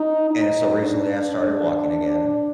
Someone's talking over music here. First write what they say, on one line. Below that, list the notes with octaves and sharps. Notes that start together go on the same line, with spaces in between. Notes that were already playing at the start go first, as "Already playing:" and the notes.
And so recently I started walking again.
Already playing: D#4
D#4
D4
D4